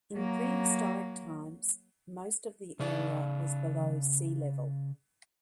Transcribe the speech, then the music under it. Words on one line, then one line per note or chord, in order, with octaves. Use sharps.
In prehistoric times most of the area was below sea level.
F#3 A#3
C#3 G#4 D5